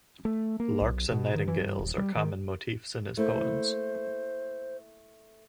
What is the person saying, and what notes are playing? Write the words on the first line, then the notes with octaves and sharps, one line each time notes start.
Larks and nightingales are common motifs in his poems.
A3
A#3
B1
B2
D#3
E3
G2
D#1
G3
D#3
A3 A#3 E4 C5